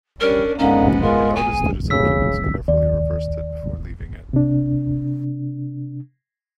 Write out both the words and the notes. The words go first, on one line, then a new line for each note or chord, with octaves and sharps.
I noticed that its occupants carefully reversed it before leaving it.
G3 C#4 D4 A#4
G#2 D3 A#3 B3 C#4 D#4
G#3 F4 A#4
G#4 G#5
C#3 E6 B6
D#2 D5
C3 D4